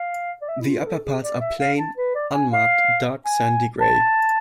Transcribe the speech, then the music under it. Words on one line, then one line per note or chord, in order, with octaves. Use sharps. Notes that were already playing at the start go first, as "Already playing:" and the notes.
The upper parts are plain, unmarked dark sandy-grey.
Already playing: F5
D5
E5
E4
F4
B4
A4
G#4
D5
E5
F5
A5
B4
D5
G#5
F5
G#5
A5